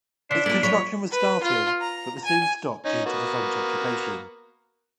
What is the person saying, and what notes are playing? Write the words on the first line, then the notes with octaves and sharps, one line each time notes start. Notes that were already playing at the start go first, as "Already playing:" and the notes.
Its construction was started, but was soon stopped due to the French occupation.
C#3 D4 C5 E5
A#3 E4 F4 D5
F3 F#3 C#5 B5
B4
F4
A#5
G#5
C#4 D#4
A#3 B3 F#4